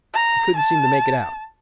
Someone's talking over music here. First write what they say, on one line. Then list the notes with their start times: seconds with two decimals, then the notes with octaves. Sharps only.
He couldn't seem to make it out.
0.14 A#5
0.56 A5